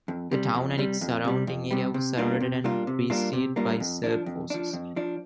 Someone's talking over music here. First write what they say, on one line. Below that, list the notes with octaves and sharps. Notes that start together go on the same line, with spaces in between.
The town and its surrounding area was surrounded and besieged by Serb forces.
F2
C3 G3
F2
C3 G3
F2
C3 G3
F2
C3 G3
C3
G3 A#3 D4 F4
C3
G3 A#3 D4 F4
C3
G3 A#3 D4 F4
C3
G3 A#3 D4 F4
F2
F3 D4
F2
F3 D4
F2
F3 D4